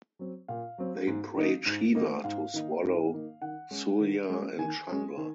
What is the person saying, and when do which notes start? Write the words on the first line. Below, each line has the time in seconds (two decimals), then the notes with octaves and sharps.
They prayed Shiva to swallow Surya and Chandra.
0.19 F#3 C4
0.48 A#2 F5
0.78 F#3 C4
1.07 G#2
1.37 D#3 A#3 D#4
1.66 G#2
1.95 D#3 A#3 D#4
2.24 G#2 F5
2.54 D#3 A#3 D#4
2.83 G#2
3.12 D#3 A#3 D#4
3.42 D#3 F#5
3.71 G#3 C#4
4.00 D#3
4.30 G#3 C#4
4.58 D#3 G#5
4.88 G#3 C#4
5.17 D#3